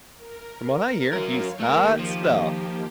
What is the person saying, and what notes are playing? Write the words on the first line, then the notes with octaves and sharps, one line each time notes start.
"From what I hear, he's hot stuff!"
A#4
F#3 A#4 C#5 F5
D#3 A3 A#3 G4 A#4
F3